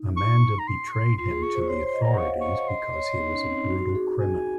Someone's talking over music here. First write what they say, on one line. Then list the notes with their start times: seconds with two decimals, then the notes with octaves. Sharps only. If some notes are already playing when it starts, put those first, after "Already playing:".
Amanda betrayed him to the authorities because he was a brutal criminal.
Already playing: D#4
0.17 C#6
0.59 A#5
0.67 C6
0.88 C#6
0.93 C6
1.17 F4 C6
1.30 G#4
1.42 G#4 C#6
1.55 C5
1.61 C#6
1.68 C#5 C6
1.81 C5
1.85 C6
1.94 D#5
2.01 F#5 A#5
2.18 F5 C#6
2.41 D#5 C#6
2.68 D#5 C6
2.93 C#5
3.20 D#4
3.31 C#4
3.45 C4
3.57 D#4
3.69 F#4
3.89 F#4
3.95 G#4
4.19 G#5